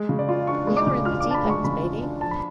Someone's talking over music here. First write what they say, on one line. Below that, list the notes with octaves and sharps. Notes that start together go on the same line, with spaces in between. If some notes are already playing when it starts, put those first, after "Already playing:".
We are in the deep end baby.
Already playing: G#3
C#3
D5
F4
D4 C#6
G#3
D6
C#3
F4 F6
D6
D4
A5
B5
G#3 C#6
C#3 B5
F4
D4
F3 A5
B5